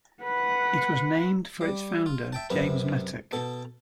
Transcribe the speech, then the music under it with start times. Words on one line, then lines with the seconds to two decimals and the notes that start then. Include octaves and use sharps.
It was named for its founder, James Mattock.
0.23 B4 F#5
1.61 G3
2.06 F4
2.32 E5 G5 A5
2.50 F#2 C3 B4
3.33 B2 A4